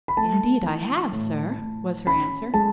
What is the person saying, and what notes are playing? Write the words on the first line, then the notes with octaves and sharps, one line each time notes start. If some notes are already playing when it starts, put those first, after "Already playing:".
"Indeed I have, sir," was her answer.
B5
A3 A5
E3
A2
A2
C#4 B5
G#3 A5